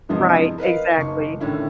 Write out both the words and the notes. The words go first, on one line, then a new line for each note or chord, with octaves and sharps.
Right, exactly.
G2 C3 E3 F3 G#3 B3
A#4 B4 D#5 F5
F#1 D#4 C#6
A2 D3 D#3 C#4 E4